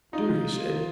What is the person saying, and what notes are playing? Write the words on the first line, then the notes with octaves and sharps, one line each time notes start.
"Do!" he said.
D#4 F4